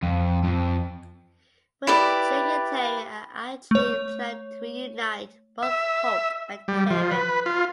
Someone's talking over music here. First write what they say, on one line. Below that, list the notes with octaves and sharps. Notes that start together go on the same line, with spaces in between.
But Jake and Terry are actually planning to reunite both Holt and Kevin.
F2
F2
E4 G4 B4 D5
A3 C#5
E5
G3
F3
B4
F4